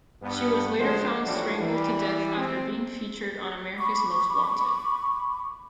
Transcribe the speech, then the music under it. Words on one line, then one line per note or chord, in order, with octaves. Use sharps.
She was later found strangled to death after being featured on America's Most Wanted.
G2 B3
D3 F3 G#3 F#4 C5
A1 A2 F3 G3 D4 F#4
E3 G3
C4
B5 C#6 D6